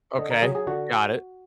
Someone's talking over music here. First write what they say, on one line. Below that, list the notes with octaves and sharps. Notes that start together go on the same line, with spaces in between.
Okay, got it.
D3 D#5
A#4
F#3 G#4
G#4
D3 F#4